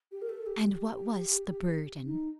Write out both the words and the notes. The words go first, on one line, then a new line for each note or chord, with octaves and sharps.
And what was the "burden"?
G4
A#4
A4
G4
D#4